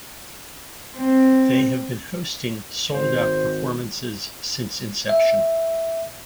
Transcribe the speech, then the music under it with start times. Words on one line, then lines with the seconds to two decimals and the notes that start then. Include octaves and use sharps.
They have been hosting sold out performances since inception.
0.97 C4
2.94 G#1 C5
5.09 E5